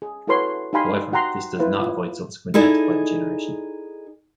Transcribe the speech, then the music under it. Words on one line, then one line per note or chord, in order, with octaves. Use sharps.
However, this does not avoid subsequent antibody generation.
G#4
E4 F#4 A4 B4 C#5 C6
D#4 G4 F5 G#5 B5 C6
F#4 F#5 G5 A#5 C6
E4 B4 C5 F5
F4
D#4 E4 G#4 A4 D5